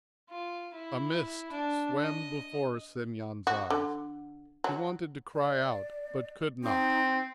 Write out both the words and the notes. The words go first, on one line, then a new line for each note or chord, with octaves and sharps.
A mist swam before Semyon's eyes; he wanted to cry out, but could not.
F4
E4
D4
D#5
F#4
D3
F#3
D5
C4 D#4